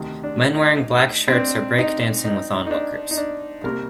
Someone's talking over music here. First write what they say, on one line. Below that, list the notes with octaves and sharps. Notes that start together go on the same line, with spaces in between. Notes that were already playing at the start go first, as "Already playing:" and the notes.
Men wearing black shirts are breakdancing with onlookers.
Already playing: D2 C3 D#3
D4
D#4
C4
D4
D#4
D#4
D#4
D4
D#4
D4
C2 C3 G3 A#3 A#4